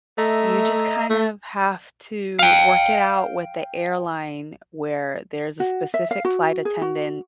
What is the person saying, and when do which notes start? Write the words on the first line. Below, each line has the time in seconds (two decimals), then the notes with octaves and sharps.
you just kind of have to work it out with the airline where there's a specific flight attendant,
0.18 A3 D#5 E5 A#5
1.10 A3
2.39 F5 G5
5.60 F#4
5.94 E5
6.11 F5
6.25 F#4
6.65 G#4
6.82 F#4